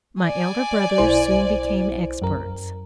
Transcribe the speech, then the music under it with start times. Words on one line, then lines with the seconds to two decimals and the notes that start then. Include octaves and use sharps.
My elder brothers soon became experts.
0.23 D5 G#5
0.98 B1 E4 C5
2.22 F#2 A#4